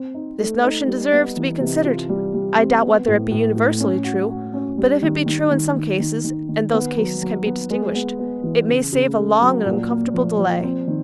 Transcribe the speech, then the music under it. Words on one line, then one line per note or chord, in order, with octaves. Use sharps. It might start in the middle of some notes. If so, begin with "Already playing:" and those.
This notion deserves to be considered; I doubt whether it be universally true; but if it be true in some cases, and those cases can be distinguished, it may save a long and uncomfortable delay.
Already playing: C4
D#4
A3
D#4
G3
B3
E3
C3
F4
G3
G3
C4
B3
A2
A2
A2
C#4
F#4
F#4
C#4
G3
D#3
D#3
D#3
D#3
D#3
D#3
D#3
B3
F#3
F#3
B3
G#3
B3
B3
E3
C#3
C#3
A3
F#3
A#2
A#3
F3
F3
C4
D#3